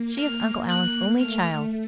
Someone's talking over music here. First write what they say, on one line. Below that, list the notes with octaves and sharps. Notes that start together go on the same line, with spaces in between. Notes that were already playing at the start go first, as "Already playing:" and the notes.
She is Uncle Allan's only child.
Already playing: A#3
F6
F#6
A3 F6